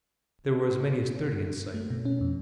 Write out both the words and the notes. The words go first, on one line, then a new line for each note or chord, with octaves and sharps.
There were as many as thirty in sight.
A3
B2
C#4
F2